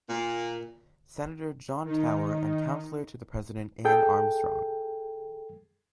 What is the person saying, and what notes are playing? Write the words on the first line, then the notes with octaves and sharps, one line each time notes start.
Senator John Tower and Counselor to the President Anne Armstrong.
A#2
D#3 D#4
G#4 A4 G5